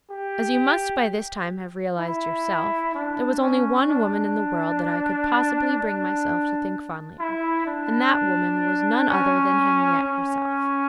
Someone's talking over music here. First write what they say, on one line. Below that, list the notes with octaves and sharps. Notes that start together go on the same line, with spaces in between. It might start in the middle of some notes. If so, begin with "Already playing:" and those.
As you must by this time have realized yourself, there was only one woman in the world that I could possibly bring myself to think fondly of, and that woman was none other than Henriette herself.
G4
E4
D4
C#4
D4
D4
E4
D4
C#4
C#4